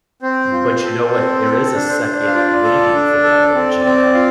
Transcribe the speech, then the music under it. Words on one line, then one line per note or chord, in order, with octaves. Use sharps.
But you know what? There is a second meaning for that OG, though.
C4 C5
F4
A4
C4
A4
D4
C5
D4
F5
F4 D5
A4
D4
A4
C4
C4
F4 F5